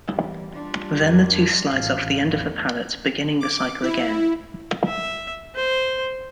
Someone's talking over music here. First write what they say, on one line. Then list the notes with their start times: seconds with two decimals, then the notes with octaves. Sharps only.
Then the tooth slides off the end of the pallet, beginning the cycle again.
0.11 E2 G3
0.50 G3 D4 F4
1.02 F2 A#4 G#6
1.70 A1 F5
2.16 E2 A3
3.40 D6
3.83 E4
4.86 E5
5.55 C5